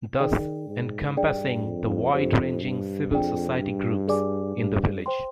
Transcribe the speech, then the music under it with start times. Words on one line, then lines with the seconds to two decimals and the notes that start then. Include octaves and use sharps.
Thus encompassing the wide-ranging Civil Society groups in the village.
0.19 D#3 G#4 D5 G5
0.67 G#2
1.17 G2 D4 G#4 D5 G5
1.65 F2
2.13 F2 D4 G4 C5
2.62 G2
3.11 F2 D4 G#4 D5 G5
3.59 G2
4.08 G#4 D5 G#5 D6
4.57 G2
5.06 C5 G5 C6